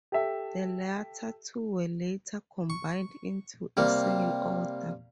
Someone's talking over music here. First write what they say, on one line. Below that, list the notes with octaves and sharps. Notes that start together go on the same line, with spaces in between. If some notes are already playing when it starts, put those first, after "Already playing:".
The latter two were later combined into a single order.
G4 A4 E5
C#6
C3 G3 A#3